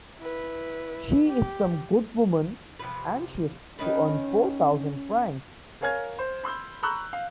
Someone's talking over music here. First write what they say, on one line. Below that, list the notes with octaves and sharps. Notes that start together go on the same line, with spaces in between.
She is some good woman anxious to earn four thousand francs.
E4 B4
G4
C3 F3 B4
D#3 C#4 D#4 B4
A#4 C#5 F5 G#5 F6 G#6
C5
B5 C6 E6 G6
A#5 B5 C#6 E6 F#6 G6
F5